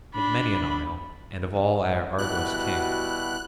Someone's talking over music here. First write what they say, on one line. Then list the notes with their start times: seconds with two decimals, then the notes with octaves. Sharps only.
Of many an isle, and of all Argos king.
0.15 D4 B5
2.18 B2 G3 E4 F#4 F#6